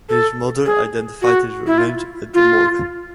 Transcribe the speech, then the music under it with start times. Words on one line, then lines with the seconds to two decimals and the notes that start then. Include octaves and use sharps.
His mother identified his remains at the morgue.
0.09 A4
0.65 G#4
1.22 F#4
1.67 E4
1.78 F4
2.34 F4